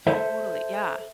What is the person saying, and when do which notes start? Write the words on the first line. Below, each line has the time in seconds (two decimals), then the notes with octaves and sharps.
Totally yeah.
0.07 A4 C5 E5